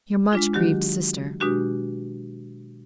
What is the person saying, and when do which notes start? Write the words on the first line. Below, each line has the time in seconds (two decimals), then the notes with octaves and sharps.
'Your much grieved sister.'
0.33 G#3 D4 F4
0.54 D#3 F#3 F#4 G4
1.40 B2 G#3 D4 F#4 G4